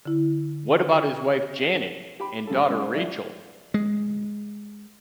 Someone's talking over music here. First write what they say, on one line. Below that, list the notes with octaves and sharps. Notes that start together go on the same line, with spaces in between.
What about his wife Janet and daughter Rachel.
D3 E4
G4 B5
F#2 C#3 A4
G3 G#3 C#4
C5
F3 D5 E5
G#3